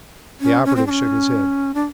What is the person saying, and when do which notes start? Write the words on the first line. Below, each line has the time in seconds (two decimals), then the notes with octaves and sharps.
The operative shook his head.
0.41 C#4
0.65 C#4
0.76 C4
0.87 D4
0.90 C#4
1.74 D4